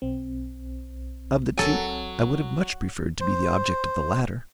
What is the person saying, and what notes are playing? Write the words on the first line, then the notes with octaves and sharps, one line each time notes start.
Of the two, I would have much preferred to be the object of the latter.
B1 C4
F#3 A4 G#5
C5